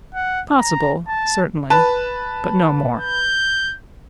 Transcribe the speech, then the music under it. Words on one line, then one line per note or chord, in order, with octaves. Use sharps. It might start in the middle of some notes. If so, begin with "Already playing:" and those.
Possible, certainly; but no more.
F#5
A#5
A5
B4 A5
G6